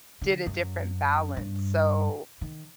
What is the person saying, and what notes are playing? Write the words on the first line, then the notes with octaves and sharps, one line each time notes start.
did a different balance. So,
D3
F#2
G2
D#3